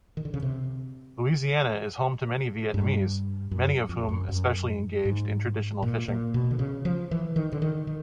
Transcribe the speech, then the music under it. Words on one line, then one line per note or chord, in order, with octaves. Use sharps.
Louisiana is home to many Vietnamese, many of whom especially engaged in traditional fishing.
D#3
D3
C#3
C3
G2
F#2
F2
F#2
F#2
G#2
A#2
A#2
B2
D3
C#3
F3
E3
D#3
D3
D#3
D#3